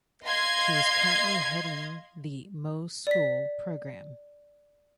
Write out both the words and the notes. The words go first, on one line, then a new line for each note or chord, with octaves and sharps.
She is currently heading the "Mo school" programme.
D#5 F5 C6 G#6 C7
D5 B6